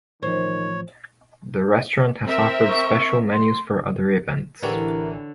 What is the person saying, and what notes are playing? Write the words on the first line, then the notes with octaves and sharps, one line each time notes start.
The restaurant has offered special menus for other events.
A1 D#3 F3 C5 C#5
C4 A#4 E5
C#6
C6
A1 D3 E3 D4 G4 A#4 C#5